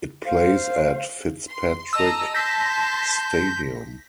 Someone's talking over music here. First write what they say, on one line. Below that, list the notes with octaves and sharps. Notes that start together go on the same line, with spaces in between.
It plays at Fitzpatrick Stadium.
C5 F5
C6
D#5 A5 A#5 E6
A5 C6 G6 A#6 B6